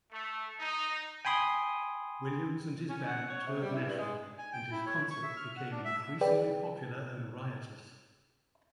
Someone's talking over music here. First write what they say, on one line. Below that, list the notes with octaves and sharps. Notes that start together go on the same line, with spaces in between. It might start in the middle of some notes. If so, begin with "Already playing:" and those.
Williams and his band toured nationally, and his concerts became increasingly popular and riotous.
A3
D#4
G5 G#5 B5 C6 D#6
C#4
F#5
C#5
C3
G3
E4
G2
G#3
G#5
G5
E4
C#5
C#6
E5
F6
F#5
D4
E5
G#4 B4 D5 G5